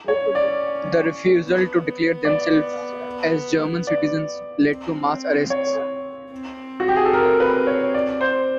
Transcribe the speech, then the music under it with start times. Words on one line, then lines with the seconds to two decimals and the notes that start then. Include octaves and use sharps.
The refusal to declare themselves as German citizens led to mass arrests.
0.08 C#5
0.22 C#4
0.35 D5
1.44 B3
2.25 D5
3.87 D5
4.68 C4
5.50 C#5
6.31 C4
6.80 F#4
6.88 G4
6.96 G#4
7.05 A4
7.13 A#4
7.40 B4
7.67 C#5
7.94 D5
8.21 C5